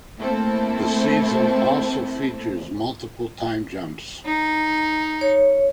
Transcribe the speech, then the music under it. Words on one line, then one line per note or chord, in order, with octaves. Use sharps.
The season also features multiple time jumps.
A3 A#3 C4 E4 A4
D#4
C#5